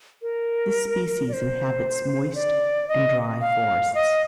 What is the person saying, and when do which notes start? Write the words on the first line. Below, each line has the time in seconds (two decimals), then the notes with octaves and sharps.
This species inhabits moist and dry forests.
0.22 A#4
1.28 D5
1.33 C5
2.35 D5
2.88 D#5
3.41 F5
3.95 D#5